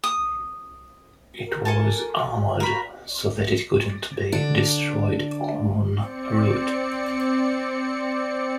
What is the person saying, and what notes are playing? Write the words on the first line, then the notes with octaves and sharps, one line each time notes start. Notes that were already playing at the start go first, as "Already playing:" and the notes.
It was armoured so that it couldn't be destroyed en route.
D#6
A#4
A4 G#5 A5
F#4 A#4 B5
D3 D4
C4 D5 C#7